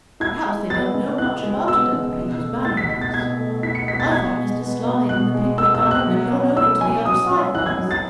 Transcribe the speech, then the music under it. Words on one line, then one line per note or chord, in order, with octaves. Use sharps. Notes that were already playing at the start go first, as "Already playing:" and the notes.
"Perhaps they don't know much about it at the People's Banner office. I thought Mr. Slide and the People's Banner had gone over to the other side, Bunce?"
E4 G#6
G#3
B3 A6
C#3
E4 F#6
G#3
B3 E6
C#3
B2
A3
E4 A6
B6
B2 B6
A6
B2 G#6
A3
E4 B6
C#7
B2 B6
A6
B2 G#6
G#3
B3
B2
B2 F#6
G#3
B3 E6
E6
B2
F#6
F#3
C#4
E4 E6
F#3 G#5
F#3 D#6
C#4
E4 F#6
G#6
F#3
A6